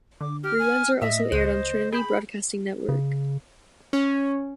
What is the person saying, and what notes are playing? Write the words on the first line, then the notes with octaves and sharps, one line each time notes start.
Reruns are also aired on Trinity Broadcasting Network.
D3 D6
G4 F6
G#5
A2 D#5 E5 E6
C#2 C5 F#6 D#7
G#4 G5 B5
C#3
C#4